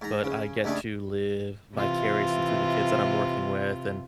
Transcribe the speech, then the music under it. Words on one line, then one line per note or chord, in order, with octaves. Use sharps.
but I get to live vicariously through the kids that I'm working with and
G#2 A#5
C#3
C#2 G2 A3 D4 G#4
C3 E3 F4